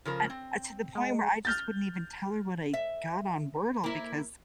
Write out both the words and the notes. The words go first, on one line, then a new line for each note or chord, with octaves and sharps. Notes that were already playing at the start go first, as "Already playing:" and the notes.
and, uh, to the point where I just wouldn't even tell her what I got on Wordle, because
C#3 F3 A#4
C4
G#3
F6 G6 A6
E5
A#3 E4